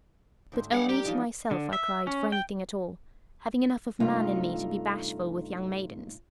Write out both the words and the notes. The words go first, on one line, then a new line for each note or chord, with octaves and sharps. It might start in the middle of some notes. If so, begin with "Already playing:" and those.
But only to myself I cried for anything at all, having enough of man in me to be bashful with young maidens.
D2 G#2 C5
G3 G#4 C#5 F5 F#5
G3 G4 A#4
E3 F3 G3 D#4 F4
D3
E5
C#4
G5
G2 C3 A3 D#4 F4